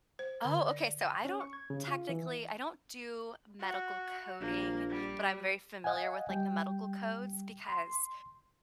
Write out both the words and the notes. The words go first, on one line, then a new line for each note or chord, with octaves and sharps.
Oh, okay so, I don't technically, I don't do medical coding, but I'm very familiar with, like, the medical codes because
C5
D3
D5
G5
C#4
C#6
G#6
C#3
F4
E3
F#4
A#1 A#3
G3
D#5 F5 F#5 G#5
G3 G5
C6